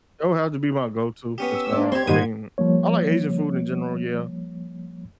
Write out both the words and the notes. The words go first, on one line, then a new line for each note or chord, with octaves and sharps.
It would have to be my go-to, which, uh I mean, I like Asian food in general, yeah,
B3 C#4 G4
E6
A#3 D4 D5
C4 G4 C6 G#6
G#2 D#3 G3 D#7
F3 G3 A#3 C#5